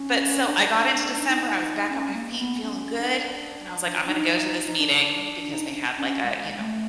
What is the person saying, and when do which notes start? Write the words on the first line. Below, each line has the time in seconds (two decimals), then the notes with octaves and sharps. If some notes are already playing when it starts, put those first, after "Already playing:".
But so I got into December, I was back on my feet feeling good. And I was like, "I'm gonna go to this meeting." Because they had like a, you know,
Already playing: C#4
0.45 D4
1.11 D4
1.18 D#4
1.90 C#4
2.14 A#3
2.38 B3
2.62 C#4
2.98 D4
4.07 D#4
4.68 D#4
4.78 D4
5.51 D#4
5.69 C#4
5.75 D4
5.98 C#4
6.23 G#3
6.59 A3